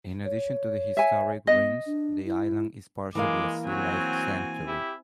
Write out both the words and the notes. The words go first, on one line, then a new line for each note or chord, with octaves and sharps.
In addition to the historic ruins, the island is partially a sealife sanctuary.
C#5
E5 G#5
B3 D#5
D4
E4
E3 G#3 A#3 F5 D6
F#3 C4 F#4 G#5
E4 G4